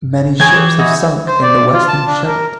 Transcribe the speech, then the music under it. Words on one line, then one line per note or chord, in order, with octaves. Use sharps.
Many ships have sunk in the Western Scheldt.
E3 G#4 C#5 G5 G#5 G#6
D#4 E4 F#4
C5
D5
F4
A5
D4
A#4